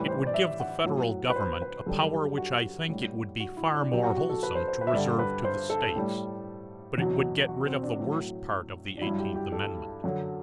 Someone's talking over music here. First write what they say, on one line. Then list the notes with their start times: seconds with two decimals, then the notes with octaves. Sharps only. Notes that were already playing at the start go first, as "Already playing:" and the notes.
It would give the Federal Government a power which I think it would be far more wholesome to reserve to the States; but it would get rid of the worst part of the Eighteenth Amendment.
Already playing: A2 E3 G3 B4
0.08 C5
0.27 D5
0.34 E5
0.60 F#5
0.84 A2 F#3
1.30 B4
1.36 C5
1.62 B4
1.86 F#2 D3 G3 A4
2.13 G4
2.38 F#4
2.89 A2 G3
3.40 F#4
3.57 E4
3.75 D4
3.91 B2 F#3 G4
4.03 F#4
4.17 F#4
4.29 A4
4.43 B4
4.55 C5
4.68 C5
4.81 B4
4.87 E5
4.93 G2 D3 G3 D5
5.19 B4
5.44 C5
5.70 A4
5.96 A2 G3
6.98 E2 B2 F#3
7.48 F#4
7.66 C4
7.83 D4
8.00 A2 F#3
8.97 D4
9.01 F#3 E4
9.07 G2
9.19 G4
9.36 G4
9.52 A4
10.04 F#2 D3 F#3